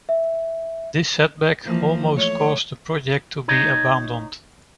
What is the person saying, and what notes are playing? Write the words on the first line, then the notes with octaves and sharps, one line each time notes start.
This setback almost caused the project to be abandoned.
E5
E3 F3 A#3
A3 C#5
D#4 C#5 D#5